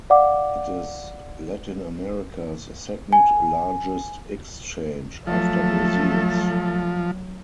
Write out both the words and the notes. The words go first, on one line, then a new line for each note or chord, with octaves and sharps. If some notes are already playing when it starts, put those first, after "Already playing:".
It is Latin America's second largest exchange, after Brazil's.
D5 F5 F#5 D6
G#5
F3 F#3 A3 A4